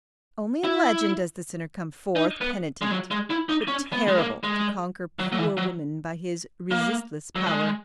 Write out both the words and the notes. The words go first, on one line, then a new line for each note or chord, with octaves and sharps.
Only in legend does the sinner come forth penitent, but terrible, to conquer pure woman by his resistless power.
E4
D#4
B3
G#3
F#3
G#3
E4
D#4
C#4
B3
G#3
A#3
G#3
F#3
F#3
E3
F#3
A#3
F#3
G#3